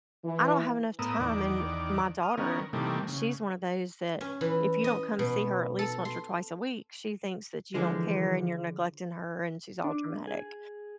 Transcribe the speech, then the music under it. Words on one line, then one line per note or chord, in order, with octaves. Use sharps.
"I don't have enough time." and my daughter, she's one of those that if you don't come see her at least once or twice a week, she thinks that you don't care, and you're neglecting her, and she's all dramatic.
E3
A2 B3 A#4 D#6 E6
E2 D#3 D5
D#6 F6
D#3 B3 C#4 A#4
C3 D#3 E3 G3 A3 A#3
C#3
C#4
E3
D#5
B2
A4
C6
D3 E3 F3 G#3
D4
G#4